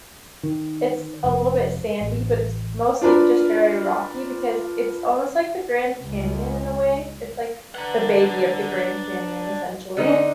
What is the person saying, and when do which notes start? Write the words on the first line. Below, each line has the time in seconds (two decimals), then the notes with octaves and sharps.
it's a little bit sandy, but it's mostly just very rocky because it's almost like the Grand Canyon in a way. It's like the baby of the Grand Canyon, essentially.
0.43 D#3
1.24 F1
2.01 A1
3.01 D4 F4 A#4 B4
6.04 C#2
7.75 D4 B4 F#5 A#5
9.97 D3 D#4